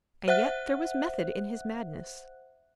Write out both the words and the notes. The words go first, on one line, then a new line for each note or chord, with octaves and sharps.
And yet there was method in his madness.
C5 E5 F#5 F#6